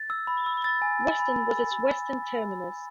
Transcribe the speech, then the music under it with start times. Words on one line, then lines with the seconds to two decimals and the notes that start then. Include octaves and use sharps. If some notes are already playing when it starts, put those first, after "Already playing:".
Weston was its western terminus.
Already playing: A6
0.10 E6
0.27 B5
0.46 E6
0.64 E6 A6
0.82 G#5
1.01 G#5
1.19 B5